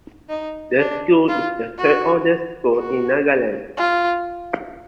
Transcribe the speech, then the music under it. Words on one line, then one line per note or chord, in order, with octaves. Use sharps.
The school is the third oldest school in Nagaland.
D#4
D4
F4
F#4
F#4
F4